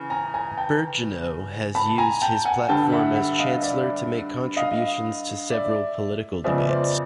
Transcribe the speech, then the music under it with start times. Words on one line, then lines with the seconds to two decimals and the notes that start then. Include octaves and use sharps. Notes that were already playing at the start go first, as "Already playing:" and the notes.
Birgeneau has used his platform as Chancellor to make contributions to several political debates.
Already playing: C#3 E3
0.10 G#5 A#5
0.34 G#5 A#5
0.58 G5 A5
1.75 A5 B5
1.98 G#5 A#5
2.22 G5 A5
2.45 F#5 G#5
2.69 G2 D3 G3 G5 A5
2.92 E5 F#5
3.15 E5 F#5
3.39 D#5 F5
3.63 D5 E5
4.56 D#5 F5
5.50 D5 E5
6.44 F2 C#3 F3 G#3 B3 D5 E5
6.68 C5 D5